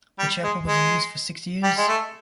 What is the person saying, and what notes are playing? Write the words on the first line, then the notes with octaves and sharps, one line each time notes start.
The chapel was unused for six years.
G3
G#3
G#3
G3
G#3
A3